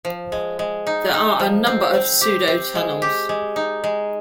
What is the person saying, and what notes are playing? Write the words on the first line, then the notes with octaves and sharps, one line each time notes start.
There are a number of pseudo tunnels.
F3
G#3
G#3
D#4
D#4
F3
C4
C4
G4
C4
G#3
G4
G#3
D#4
G#3